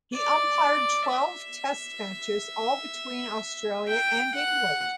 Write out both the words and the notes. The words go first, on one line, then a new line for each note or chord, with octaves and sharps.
He umpired twelve Test matches, all between Australia and England.
D5
E5
G5
F#5